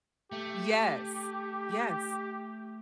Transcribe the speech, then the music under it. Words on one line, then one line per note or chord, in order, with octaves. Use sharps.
Yes. Yes.
A3 G4